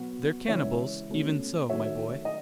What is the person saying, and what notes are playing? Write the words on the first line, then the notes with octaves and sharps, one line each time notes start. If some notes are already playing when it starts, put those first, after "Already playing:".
"They're cannibals even so, my boy."
Already playing: B2 F#3 B3 F#4
C#3 E3 G#3 C#5 E5
B2 A3 C#4
D#3 F#3 A3 C#5 E5
D#5